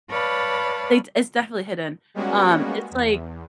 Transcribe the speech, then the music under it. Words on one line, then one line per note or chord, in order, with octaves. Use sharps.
they It's definitely hidden. Um, it's like
B4 C#5 D5 F5 A5 B5
G3 G#3 A#3 B3 C#4 F#4
E2